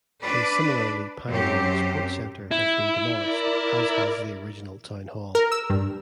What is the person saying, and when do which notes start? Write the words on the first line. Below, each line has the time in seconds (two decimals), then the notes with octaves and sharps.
His similarly pioneering Sports Centre has been demolished, as has the original town hall.
0.21 D4 B4 D5
1.31 F#2 C4 G4
2.51 E4
3.15 A#4 D5
5.35 A#4
5.52 E6
5.70 G2